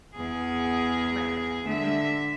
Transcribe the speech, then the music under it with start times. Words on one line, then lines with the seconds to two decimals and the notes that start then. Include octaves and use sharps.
Right, mhm.
0.14 E2 G#4
1.66 D3 E5